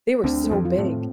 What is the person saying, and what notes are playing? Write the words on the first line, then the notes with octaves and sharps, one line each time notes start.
They were so big.
D2 D3 C4
A4
F2 F3
F4
A2 A3
C4